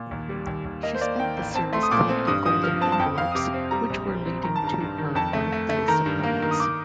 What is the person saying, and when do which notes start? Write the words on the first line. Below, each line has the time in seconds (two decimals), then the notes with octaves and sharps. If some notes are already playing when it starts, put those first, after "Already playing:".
She spent the series collecting golden envelopes which were leading to her birthday surprise.
Already playing: A#2
0.11 D#2
0.29 G3
0.47 D#2
0.65 D#2
0.83 A#3 D#5
0.95 C5
1.01 A#3 D5
1.19 D#3 G5
1.37 A1
1.55 C4 A5
1.73 A3 C6
1.83 D#6
1.91 A#2 D6
2.09 C4
2.27 G2 D#6
2.45 F3 D#6
2.63 F3 F6
2.81 C4 A5
2.92 A5
2.99 F2 G5
3.18 F2 F5
3.32 D#6
3.35 C3 D6
3.54 C4
3.71 G3 A#5
3.90 A#1
4.07 A#1
4.25 C4
4.43 D#3 A#5
4.56 A5
4.62 G2
4.67 A#5
4.80 G2
4.98 D#3
5.15 F2 A5
5.33 A3
5.52 A3
5.69 A3
5.88 D#3 A#5
6.06 G2
6.23 A#3
6.42 D#3
6.51 D#6
6.60 D6